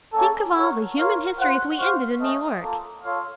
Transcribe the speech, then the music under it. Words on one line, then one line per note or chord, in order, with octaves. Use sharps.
Think of all the human histories we ended in New York!...
A#3 C#4 A4
F#4 A#4 C#5
F4 A#4 C#5 F5
F4 C5 F#5
F#4 C5 F5
A3 C#4 A4 D#5
A#3 F4 A4
F4 A4 C#5 F5